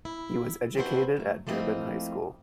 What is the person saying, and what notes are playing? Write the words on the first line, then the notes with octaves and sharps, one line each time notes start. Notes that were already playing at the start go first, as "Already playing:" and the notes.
He was educated at Durban High School.
E4
C4 D4 E4 F#4 B4 C5
F#3 A3
F3 A3 A#3 C4 E4 D#5